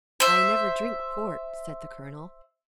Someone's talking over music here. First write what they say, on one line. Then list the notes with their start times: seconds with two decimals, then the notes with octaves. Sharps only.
"I never drink port," said the colonel.
0.20 C5 E5